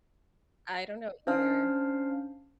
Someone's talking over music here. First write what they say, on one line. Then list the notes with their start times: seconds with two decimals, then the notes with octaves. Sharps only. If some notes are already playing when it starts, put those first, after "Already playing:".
I don't know either.
1.27 C#4 D4 C5 F5 A5 F6